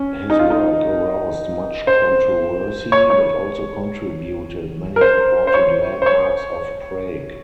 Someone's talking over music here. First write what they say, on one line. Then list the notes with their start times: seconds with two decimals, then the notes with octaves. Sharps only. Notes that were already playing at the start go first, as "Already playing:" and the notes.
His work aroused much controversy, but also contributed many important landmarks of Prague.
Already playing: C#4
0.30 D#4
0.39 F4
0.50 D#4
1.87 C5
2.92 C#5
3.10 C#5
4.96 A#4
5.01 C5
5.47 C5
5.54 C#5
6.02 C5
6.06 C#5